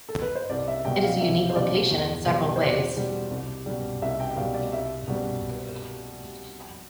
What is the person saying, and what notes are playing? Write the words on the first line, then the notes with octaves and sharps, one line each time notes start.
It is a unique location in several ways.
A4
B4
C5
C2 D5
E5
B2 G3 G5
F5
C2 E5
C5
B2 G3 D5
E2
B2 G3
C5
E2 D5
B2 G3
C2
B2 G3
C2 E5
G5
B2 G3 F5
D5
C2 E5
B2 G3